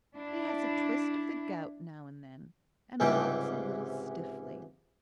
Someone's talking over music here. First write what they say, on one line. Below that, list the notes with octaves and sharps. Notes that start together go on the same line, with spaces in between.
He has a twist of the gout now and then and walks a little stiffly.
D4 E4
C#2 G#2 C3 E3 G3 G5